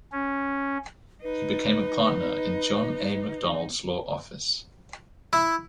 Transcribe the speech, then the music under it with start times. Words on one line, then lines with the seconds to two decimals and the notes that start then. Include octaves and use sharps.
He became a partner in John A. Macdonald's law office.
0.12 C#4
1.23 D#4 B4
5.33 E4